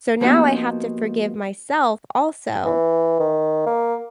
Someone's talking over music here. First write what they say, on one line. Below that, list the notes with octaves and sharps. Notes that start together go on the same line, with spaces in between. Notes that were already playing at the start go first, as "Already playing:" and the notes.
So now I have to forgive myself also,
F3 A#3 B3 D#4 F#4 G4
E3
D#3
A#3